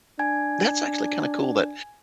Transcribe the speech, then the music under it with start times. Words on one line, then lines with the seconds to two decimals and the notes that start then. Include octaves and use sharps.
That's actually kinda cool that
0.19 D4 G#5 G#6